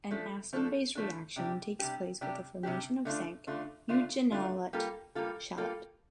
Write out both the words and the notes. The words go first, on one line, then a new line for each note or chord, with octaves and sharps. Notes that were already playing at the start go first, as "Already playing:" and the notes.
An acid-base reaction takes place with the formation of zinc eugenolate chelate.
F3 A3 D4 A4
F3 A3 D4 A4
F3 A3 D4 A4
C3 G3 D4 G4
C3 G3 D4 G4
C3 G3 D4 G4
C3 G3 D4 G4
D3 A3 D4 F4
D3 A3 D4 F4
D3 A3 D4 F4
D3 A3 D4 F4
G3 A#3 F4 A4
G3 A#3 F4 A4
G3 A#3 F4 A4